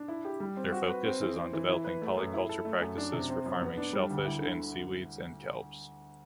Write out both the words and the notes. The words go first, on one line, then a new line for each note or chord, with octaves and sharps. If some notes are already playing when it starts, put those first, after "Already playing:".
Their focus is on developing polyculture practices for farming shellfish and seaweeds and kelps.
Already playing: D4
E4
G4
G3
C4
F#4
B4
C4
E3
C4
E3
E4
B4
A3
F#2
E4
A4
A3
F#2
D4
C3
C4
F#2
B3
D4
G3
D2
E4
D3